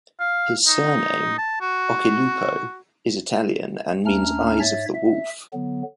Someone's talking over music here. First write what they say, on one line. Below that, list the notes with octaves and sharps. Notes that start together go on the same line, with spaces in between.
His surname, Occhilupo, is Italian and means eyes of the wolf.
F5
D#4
A5
F#4
D#2 A3 C#4 D4 A#5 F6
G#2 C#5 E5 A6
E5
D3 F#3 B3